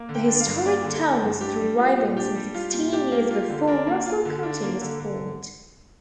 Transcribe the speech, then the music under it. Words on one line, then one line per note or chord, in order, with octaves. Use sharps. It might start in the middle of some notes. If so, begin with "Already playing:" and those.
The historic town was thriving some sixteen years before Russell County was formed.
Already playing: A#3
D3
G5
D4
F5
G2
A#3 D5
D3
D4
G2
D4 G4
G3
F4
A#2
D4 G4
G3
F4
A#2
D4 G4
A#3
F4
D3
D4 A#4
A#3
F4
D3
D4
A#3
D3
D3